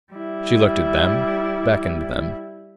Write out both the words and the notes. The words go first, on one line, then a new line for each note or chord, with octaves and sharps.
She looked at them, beckoned them.
G3 E4